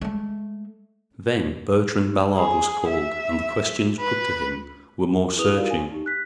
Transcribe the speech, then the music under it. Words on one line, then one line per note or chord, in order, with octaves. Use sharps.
Then Bertrand Ballard was called, and the questions put to him were more searching.
G#3 A3
G#4
E5
B4
E4 G#4 B4 D#6 F7
D#4 E4 F#4 A#4 D5 F5
G#5
D#4 G4
F#6 B6